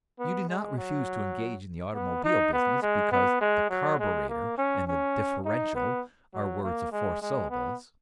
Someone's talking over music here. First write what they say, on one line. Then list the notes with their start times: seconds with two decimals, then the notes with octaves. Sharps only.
You do not refuse to engage in the automobile business because the carburetor and the differential are words of four syllables.
0.19 B3
0.49 G#3
0.77 F#3
1.94 B3
2.24 D#4
2.53 B3
2.82 G#3
3.12 B3
3.41 G#3
3.69 F#3
3.99 G#3
4.28 A#3
4.57 C#4
4.87 C#4
5.45 D#4
5.75 B3
6.34 F#3
6.63 A#3
6.92 G#3
7.22 G#3
7.50 B3